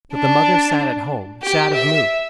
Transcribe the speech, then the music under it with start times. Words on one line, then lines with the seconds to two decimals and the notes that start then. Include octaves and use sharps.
But the mother sat at home, sad of mood.
0.13 D4
1.42 G4
1.74 E5